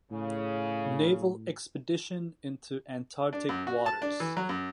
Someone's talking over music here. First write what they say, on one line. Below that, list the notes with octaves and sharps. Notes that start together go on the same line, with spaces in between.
Naval expedition into Antarctic waters.
A2 C#3
D4
F#2
F#4
A5
D4
E3
F#3
F#2